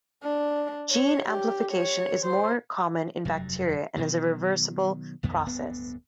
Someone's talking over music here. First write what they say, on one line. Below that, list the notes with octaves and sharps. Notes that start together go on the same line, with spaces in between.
Gene amplification is more common in bacteria and is a reversible process.
D4
C#5
G4
C#5
C5
F1 G2 F#3
B2 D#3 F#3
B1 F2 D#3 B3
D1 G2 B3